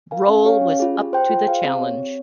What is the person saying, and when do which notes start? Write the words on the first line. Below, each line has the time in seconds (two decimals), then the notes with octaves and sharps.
Roll was up to the challenge.
0.11 A#4 F5 G#5
0.29 C#4
0.45 G4 C#5 F5 G#5
0.62 C#4
0.80 F4 G#4
0.95 G4
1.13 C5 G5
1.30 F4
1.47 G#4 C5 F5 G#5
1.65 C4
1.81 G4 C#5
1.98 C4